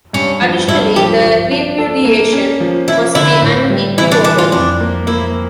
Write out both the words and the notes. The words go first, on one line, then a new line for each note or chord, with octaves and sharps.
Additionally, the repudiation must be unequivocal.
G2 C#4
F3
G2 E4
F3 G4
F3
D4
A4
A#3
C#4
F3
F3 E4
D3 E4
A2
G3
E3 E4
D4
E3 D4
F4
F2 D4
A#3
A#3 E4